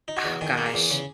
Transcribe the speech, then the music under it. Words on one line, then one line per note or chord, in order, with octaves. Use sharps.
Oh gosh.
D#4
F#4
E2
D#3 G#4
A#3
G#4
E2
C#3